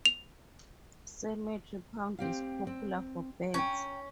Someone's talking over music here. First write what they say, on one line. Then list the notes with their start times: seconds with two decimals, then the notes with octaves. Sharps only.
Cemetery Pond is popular for birds.
0.06 F7
2.19 C4 G4 F5
2.67 C4
3.54 C#4 G5 A#5